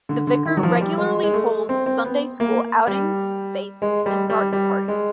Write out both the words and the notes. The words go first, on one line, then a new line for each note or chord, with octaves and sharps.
The Vicar regularly holds Sunday School outings, fetes, and garden parties.
D3
D3
D#3
F#3
F3
G3
G#3
G#3
A3
C4
C4
B3
A#3
G3
G#3
G3
G3
G3
G#3